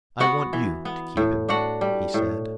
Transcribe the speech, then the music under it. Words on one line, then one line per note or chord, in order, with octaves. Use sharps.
"I want you to keep him," he said.
B3 F#4 F#5
E3
B3
A2
D4 F#4 F#5
G3
A2